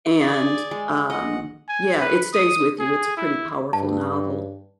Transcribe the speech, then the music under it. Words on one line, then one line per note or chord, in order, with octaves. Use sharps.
And, um, yeah, it stays with you. It's a pretty powerful novel,
G#4 D5
G#3
D#5 F#5
G#5
B4
D#6
G#4
E4
G2 A5